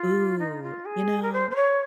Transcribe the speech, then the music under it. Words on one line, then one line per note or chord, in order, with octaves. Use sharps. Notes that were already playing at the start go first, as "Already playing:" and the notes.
Ooh, you know,
Already playing: F4
D#4
F4
G#4
A#4
C5
C5
C#5